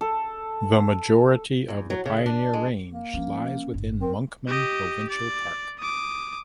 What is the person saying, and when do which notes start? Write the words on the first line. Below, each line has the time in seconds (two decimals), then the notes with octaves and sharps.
The majority of the Pioneer Range lies within Monkman Provincial Park.
0.01 A4
1.68 E2
1.90 F#3
2.06 C#3
2.26 D4
2.53 G#3
2.91 A#3
3.14 F3 C#4 D4
3.74 G1 D3
4.01 C4 A#4
4.47 G4 D#5
5.10 D5
5.79 D6 D#6